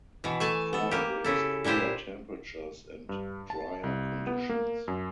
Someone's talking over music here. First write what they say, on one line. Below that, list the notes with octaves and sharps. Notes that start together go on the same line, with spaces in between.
Fall brings cooler temperatures and dryer conditions.
B2 E3
A3 G#5 A5
B3 A4
A#3 G4
C#3 E4 A4
A#2 D4 E4 G4 C5
G2
A5
C2
B3
A#3
F#2